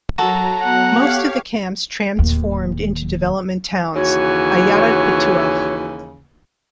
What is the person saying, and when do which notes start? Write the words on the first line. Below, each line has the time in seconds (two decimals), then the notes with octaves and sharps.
Most of the camps transformed into Development Towns - "Ayarat Pitu'ach".
0.18 F#3 F#4 A4 A#5
0.64 B3 F#5
1.00 G4 C#5 F5
2.19 D1 D#2
3.94 D#2 C#3 E3 F#4 C#5